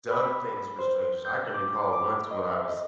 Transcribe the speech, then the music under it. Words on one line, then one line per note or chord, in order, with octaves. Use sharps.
done things for strangers. I can recall once when I was
B5
C5
G6
D6
D6
D#5
E5
D#5